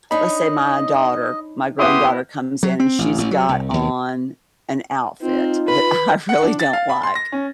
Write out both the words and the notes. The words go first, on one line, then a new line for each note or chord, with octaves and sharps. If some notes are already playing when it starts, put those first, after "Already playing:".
let's say my daughter, my grown daughter, comes in, and she's got on an outfit that I really don't like.
D4 D#4 C#5 D#5 B5
B3 E4 G4 C6 D#6
F#3
C4
A1
A1
F#3
C2
D#2
C4 D#4 F4
B4 B5
F#5
D4
A6
F5
B5
C6
A#6
C#4